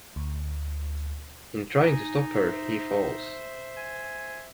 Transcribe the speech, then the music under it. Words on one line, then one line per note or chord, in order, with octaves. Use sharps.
In trying to stop her he falls.
D2
D#4 G#5
C5 E5
G#5